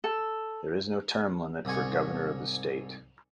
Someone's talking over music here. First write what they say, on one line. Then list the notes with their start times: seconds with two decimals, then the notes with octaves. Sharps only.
There is no term limit for governor of the state.
0.04 A4
1.65 C2 G#2 G#5 C#6